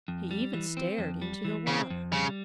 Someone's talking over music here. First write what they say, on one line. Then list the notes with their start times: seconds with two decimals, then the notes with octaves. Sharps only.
He even stared into the water.
0.08 F2
0.31 G3
0.53 E3
0.77 C4
0.98 F2
1.22 G3
1.45 E3
1.67 C#3 C4
1.90 F2
2.13 C#3 G3